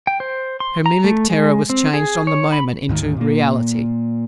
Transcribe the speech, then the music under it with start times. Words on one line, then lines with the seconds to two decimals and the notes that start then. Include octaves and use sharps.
Her mimic terror was changed on the moment into reality.
0.07 G5
0.20 C5
0.60 C6
0.86 A#5
1.04 A3
1.30 G#3
1.70 C4
1.94 G#4
2.27 C#5
2.52 B5
2.89 D2 G#2 D#3
3.17 A#2 A#3